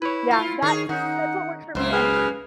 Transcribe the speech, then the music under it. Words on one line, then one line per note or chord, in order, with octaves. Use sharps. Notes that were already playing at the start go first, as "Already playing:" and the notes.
Yeah, that's that's what works for me, and
E4 B4 C#5
F4
D#3 G#4 C#5
D#3 C#4 D#4 F#5
C#2 F#2 A#3 C5 E5
G#4 B4 F6